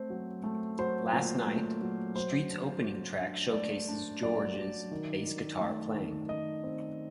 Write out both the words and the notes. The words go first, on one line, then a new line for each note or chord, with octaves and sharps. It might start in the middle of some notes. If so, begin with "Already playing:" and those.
"Last Night", "Street"s opening track, showcases George's bass-guitar playing.
Already playing: A3 C4 C5
F#3
A3
F#3 C5
A#2
A3
F#3
F#3 C5
D4
F#3
D4
A3 D5
D4
F#3 D5
F#3
D#3
D#3
A3
D#3
D#3 D#5
C4